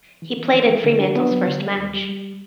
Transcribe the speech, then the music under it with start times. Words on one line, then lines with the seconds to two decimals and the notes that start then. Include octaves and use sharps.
He played in Fremantle's first match.
0.22 E3
0.37 E3
0.53 E3
0.69 E3
0.84 D3
1.00 D4
1.16 B3
1.31 F#3
1.47 D3
1.62 G3
1.78 D#2
1.94 G3
2.09 G3